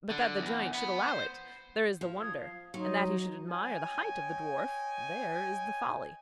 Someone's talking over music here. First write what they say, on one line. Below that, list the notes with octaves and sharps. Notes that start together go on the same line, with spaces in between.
But that the giant should allow it, there is the wonder; and that he should admire the height of the dwarf, there is the folly.
D3
E2
B3
C5
F3
D#6 G#6
F5
F#3 D#4 C#5 C6
C#5 D#5 G5 G#5